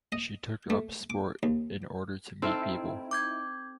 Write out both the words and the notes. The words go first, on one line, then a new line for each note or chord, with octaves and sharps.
She took up sport in order to meet people.
D#5
A3
D6
D#2
C4 D#4 E4 A4 F5
D6 G6 G#6